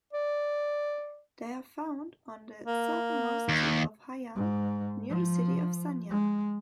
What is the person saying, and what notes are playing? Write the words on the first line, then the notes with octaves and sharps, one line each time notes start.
They are found on the southernmost tip of Hainan near the city of Sanya.
D5
A#3
D#2
G#2
F3
G#3